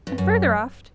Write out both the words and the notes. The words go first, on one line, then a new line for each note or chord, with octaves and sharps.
"And further aft?"
G2
F#2